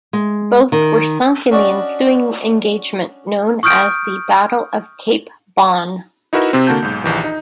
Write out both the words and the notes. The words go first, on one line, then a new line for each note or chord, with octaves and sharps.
Both were sunk in the ensuing engagement, known as the Battle of Cape Bon.
G#3
D#3
C#4 D4 F#4 D5 D#5
C#6 D#6 F6 G6 D7
D#4 E4 F#4 A#4 B4 E5
C3 C4
D3 A#3 F#4 A5 G6
B1 G#2
A#1 D#2 E3
D#4